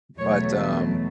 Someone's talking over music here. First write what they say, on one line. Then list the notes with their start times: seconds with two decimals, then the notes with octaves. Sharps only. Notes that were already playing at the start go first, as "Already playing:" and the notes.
But, um,
0.18 E2 B2 F#3 A3 C#5